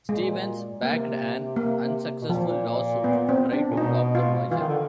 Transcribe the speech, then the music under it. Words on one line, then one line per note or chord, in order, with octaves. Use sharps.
Stevens backed an unsuccessful lawsuit to try to block the merger.
A#2 G#3
C3 A#3
A#3
B2
A#2 F3
B3
C4
D4
A#2
B2 D#4
F4
E3 F4
D#3
D3